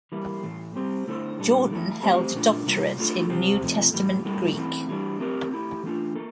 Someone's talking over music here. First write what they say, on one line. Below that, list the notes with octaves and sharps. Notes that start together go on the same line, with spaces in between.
Jordan held a doctorate in New Testament Greek.
E3 G3 A#3 E4
A2 E3 A3
G3 C4 G4 C5
D3 A3 E4 A4 C5
A#2 G3 D4 A4
E3 A3 E4 A4
A3 C4 G4 C5
A#2 A3 D4 F4
C3 G3 A#3 F4
A3 D4 F4 A4
C3 G3 C4 G4 C5
C3 F3 A3
A2 E3 G3
A2 G3 A#3 E4 A4
E3 A3 C4 E4
E3 G3 D4
A3 C4 G4 A#4
A3 E4 G4
E3 A3 D4 F4
A#3 A4